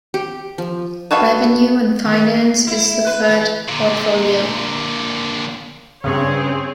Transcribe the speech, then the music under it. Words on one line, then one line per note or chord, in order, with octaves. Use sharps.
Revenue and Finance is the third portfolio.
G4
F3
B3 F#4 A4 E5 F5
D#3
E4
B4
E3
A#2 D3
G2 C#3 C4 G#4 C#5